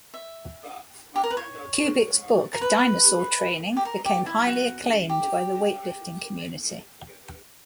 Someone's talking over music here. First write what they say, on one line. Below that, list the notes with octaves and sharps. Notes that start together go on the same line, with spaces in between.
Kubik's book "Dinosaur Training" became highly acclaimed by the weight-lifting community.
E5
G4
A#4
B4
C#5
A#4
B4
G4
A#4
G4
E4
F#4
G4